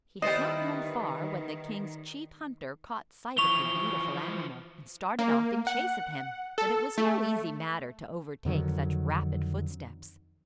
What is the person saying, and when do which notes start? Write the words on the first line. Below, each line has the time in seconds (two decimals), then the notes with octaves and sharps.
He had not run far when the king's chief hunter caught sight of the beautiful animal, and started off in chase of him; but it was no easy matter to overtake such rapid footsteps.
0.22 D#3 G3 B3 E4 B4 C5 D#5
3.37 E3 F3 C#6 F7 G7
5.19 A#3
5.67 F#5
6.58 A4
6.98 A3
8.45 F2 D3 D#3 F#3